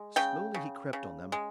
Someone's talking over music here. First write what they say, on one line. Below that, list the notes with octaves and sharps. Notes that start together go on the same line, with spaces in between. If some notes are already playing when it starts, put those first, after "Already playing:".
Slowly he crept on them.
Already playing: G#3
C#3 G5
C#3
C#3
G#3